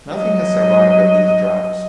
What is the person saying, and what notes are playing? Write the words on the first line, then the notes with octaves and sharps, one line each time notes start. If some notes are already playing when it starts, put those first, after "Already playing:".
Nothing has survived of these drafts.
F#3 D#5